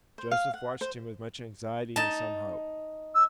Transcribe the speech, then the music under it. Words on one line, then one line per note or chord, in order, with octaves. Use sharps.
Joseph watched him with much anxiety and some hope.
C5
F5
F#5
C5
D#4 A5
E6